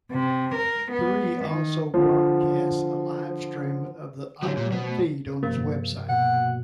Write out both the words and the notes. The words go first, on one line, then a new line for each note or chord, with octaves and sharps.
Three also broadcasts a livestream of the Auckland feed on its website.
C3
A#4
B3
D#3
D3 F3
D3 F#3 G4 C#5
A#2
B2 C5
A3 B3
G2 C3 F3 A#3
B2 F#5